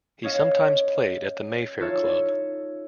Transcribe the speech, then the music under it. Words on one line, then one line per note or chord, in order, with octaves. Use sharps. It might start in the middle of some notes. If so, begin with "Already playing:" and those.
He sometimes played at the Mayfair Club.
C#4 C#5 D#5 F5
D#4 F4 A4 C#5 E5